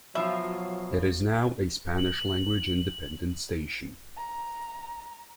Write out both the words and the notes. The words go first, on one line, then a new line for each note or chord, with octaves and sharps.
It is now a Spanish-language independent station.
B2 F3 F#3 F4 E5
F#7
A#5